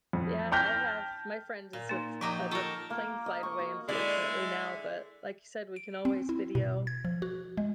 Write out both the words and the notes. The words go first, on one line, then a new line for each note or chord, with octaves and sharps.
Yeah, I have my friend is a f as a plane flight away, unfortunately now, but like you said, we can always video.
F2
G5 A5 F6 G6 A#6 B6
A#2
A#3 D#4
F3 F#3 D#4 G4 A#5 D6
F4 A4 A#4 C#6
A#3
D#5
C#6
F#4
D3 G#3 E4 D5 E5
D7
C4
E4
B2
G#6
F3
F#4
G#3